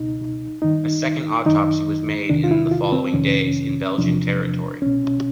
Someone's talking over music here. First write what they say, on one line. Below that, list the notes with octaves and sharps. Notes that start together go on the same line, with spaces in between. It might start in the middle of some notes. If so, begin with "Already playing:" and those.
A second autopsy was made in the following days, in Belgian territory.
Already playing: C#2 B2 D#4
G2 D#3 D#4
F#2 D#3 D#4
E2 C3 D#3 D4
F4
E4
F4
C4
F2 C3 D#3 C#4
E2 C3 F3 D4
C2 B2 C#4